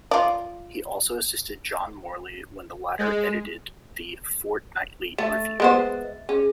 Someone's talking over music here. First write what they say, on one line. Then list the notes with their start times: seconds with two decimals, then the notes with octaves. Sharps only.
He also assisted John Morley, when the latter edited the "Fortnightly Review".
0.11 F4 D5
2.99 G#3
5.18 A3 E5 A6
5.60 G#3 B3 C5
6.29 C#4 G#4